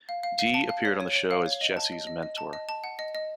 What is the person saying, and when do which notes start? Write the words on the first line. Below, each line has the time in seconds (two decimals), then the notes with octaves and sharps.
Dee appeared on the show as Jesse's mentor.
0.09 F5
0.23 F5
0.39 F5
0.54 A5
0.69 F5
0.85 C#5
1.01 C#5
1.15 C#5
1.31 F5
1.46 C#5
1.61 D#5
1.77 A5
1.92 D#5
2.07 D#5
2.23 D#5
2.38 A5
2.53 D#5
2.69 A5
2.84 F#5
2.99 D#5
3.15 D#5